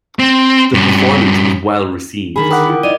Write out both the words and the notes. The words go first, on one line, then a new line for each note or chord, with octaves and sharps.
The performance was well received.
C4
G2 C#4
D3 D#3 G#4 B5
A#4 F#5 G5 D6 D#6
E4 F4
D#4 F4 D5 D#5 D#7